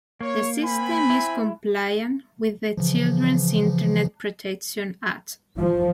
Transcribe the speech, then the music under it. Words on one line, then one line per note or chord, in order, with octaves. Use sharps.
The system is compliant with the Children's Internet Protection Act.
A#3 C#5
C4 G#5 B5
E4
C#3 E3 F3
F3